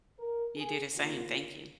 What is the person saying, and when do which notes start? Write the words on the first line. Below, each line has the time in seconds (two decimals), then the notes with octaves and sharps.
You do the same, thank you.
0.19 A#4
0.57 G#4
0.95 D#2 C#3 A#3 F4